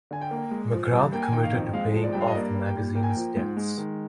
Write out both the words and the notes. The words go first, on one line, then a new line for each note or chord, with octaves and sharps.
McGrath committed to paying off the magazine's debts.
D3 G#5
G5
A#3
G#3
F3
G2
A#3 G5
G#5
D#3 G5
F5
F2
G#3 F5
F3
D5
G2 G5
F5
D#5
A#3 D5
G3
G5
A#2
A#3 G5
G#5
G5
F3
G#2
G#3
D#3